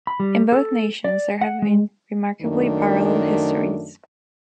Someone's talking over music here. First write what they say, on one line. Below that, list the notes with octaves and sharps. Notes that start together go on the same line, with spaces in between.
In both nations there have been remarkably parallel histories.
B5
G3
A4
D5
F#5
G#3
F#2 D#3 A3 D4